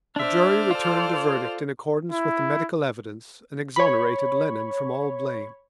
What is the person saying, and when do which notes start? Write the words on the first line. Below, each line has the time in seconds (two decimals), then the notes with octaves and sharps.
The jury returned a verdict in accordance with the medical evidence and exonerated Lennon from all blame.
0.16 D4 C5 D5 E5 F6
0.71 F4 A4
2.12 E4
3.76 C#5 B5